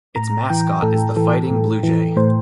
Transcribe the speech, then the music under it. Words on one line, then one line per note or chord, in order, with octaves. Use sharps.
Its mascot is the Fighting Bluejay.
A2 A#5
E3 G5
A2 A4
E3 A4
A2
E3
A2 C5